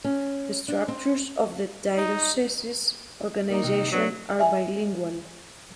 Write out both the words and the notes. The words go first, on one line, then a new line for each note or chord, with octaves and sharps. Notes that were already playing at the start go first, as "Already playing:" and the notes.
The structures of the diocese's organization are bilingual.
C#4
D4
C4
D#4
A#3 D#4 A#4
D#2 C3
F#3 B3 D4
E5 G#5